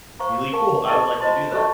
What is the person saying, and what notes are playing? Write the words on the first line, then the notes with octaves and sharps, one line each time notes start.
really cool. I would like to do that."
C5 F5 A#5 C#6
A#4 F5 A5 C#6
D#4 A4 D#5 A5 C#6
F4 C5 D#5 A5 C6
F#4 A4 D#5 A5 C#6